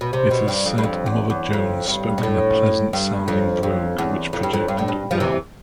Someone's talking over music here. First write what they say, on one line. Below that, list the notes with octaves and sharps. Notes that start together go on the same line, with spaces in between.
It is said Mother Jones spoke in a pleasant-sounding brogue which projected well.
B2
C3
B2
G2
F2
G2
F2
E2
E2
F2
G2
B2
A2
G2
F2
F2
E2
F2
G2
F2
G2
A2
G2
F3
C3 E3